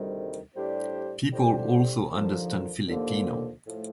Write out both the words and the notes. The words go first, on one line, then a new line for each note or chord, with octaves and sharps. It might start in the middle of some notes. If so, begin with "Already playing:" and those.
People also understand Filipino.
Already playing: D2 C3 D#3 G3
A2 G3 D4 G4 C5
A2 G3 D4 G4 C5
D#2 D3 F3 A#3
D#2 D3 F3 A#3
A2 F3 A3